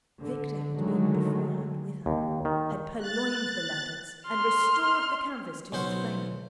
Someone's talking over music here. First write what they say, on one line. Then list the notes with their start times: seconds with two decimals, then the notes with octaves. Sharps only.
Victor had been beforehand with her, had purloined the letters and restored the canvas to its frame.
0.21 D3
0.74 D3 D#3 F#3 G#3 A3
2.06 D#2
2.45 D#3
2.98 F#6 A6
4.26 C6 F6
5.72 B1 C#4 C5 F#5